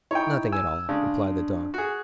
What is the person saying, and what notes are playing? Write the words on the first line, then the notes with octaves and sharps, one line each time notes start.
"Nothing at all," replied the Dog.
D#4 E4 C#5 G5
G#5 E6
C#3 G#3 D4
F#4 G#4